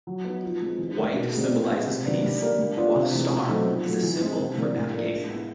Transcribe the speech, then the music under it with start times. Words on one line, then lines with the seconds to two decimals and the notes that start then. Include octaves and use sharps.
White symbolises peace, while the star is a symbol for navigation.
0.07 F#3
0.24 B3 D#4
0.43 F3
0.61 G#3 C4
0.78 E3
0.97 G3 A#3 D#4
1.15 B2
1.33 G3 C4 D#4 G#4
1.51 A#2
1.69 F3 G#3 B3
1.87 C3
2.05 D#3 F#3 B3 D4
2.23 G3
2.41 A#3 D4 G4
2.59 G3
2.77 B3 D4 F4
2.95 C3
3.14 E3 G#3
3.31 B2
3.49 F#3 A3 C4 D#4
3.67 A#2
3.85 F#3 A3
4.03 E3
4.21 G#3 C4
4.39 C3
4.57 E3 G3 A#3 D4
4.75 A2
4.94 F3 A#3 D4
5.11 G#3
5.29 B3 E4